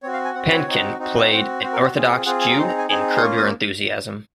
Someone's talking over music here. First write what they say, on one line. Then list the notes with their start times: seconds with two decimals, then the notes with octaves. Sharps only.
Pankin played an Orthodox Jew in "Curb Your Enthusiasm".
0.03 C4 F#4 C#5
0.13 F5
0.25 G#5
0.34 C4 F#4 F#5
0.51 C#5
0.67 C4 D#4 F#4
0.99 C4 D#4 F#4
1.30 C4 F#4 C5
1.62 C4 F#4 C5
1.73 A#4
1.84 C5
1.94 C4 F4 G#4
2.25 C4 F4 G#4 F#5
2.41 G#5
2.51 A#5
2.58 C4 D#4 G#4 C6
2.68 A#5
2.78 G#5
2.89 C4 D#4 G#4 G#5
3.16 C6
3.21 A#3 C#4 F4 C#6
3.37 D#6